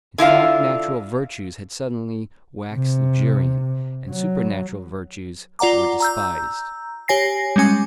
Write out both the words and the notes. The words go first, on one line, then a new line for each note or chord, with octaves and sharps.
In fact, natural virtues had suddenly waxed luxuriant, and supernatural virtues were despised.
D3 E4 F4 F5
C3
F#3
F4 D5 F#5 A#5 D6
A#5 E6 G6
G4 C#5 G#5 A#6 C7
G3 G#3 C#4 G#5 D6